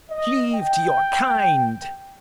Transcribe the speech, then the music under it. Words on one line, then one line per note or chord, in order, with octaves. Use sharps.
Cleave to your kind.
D#5
G5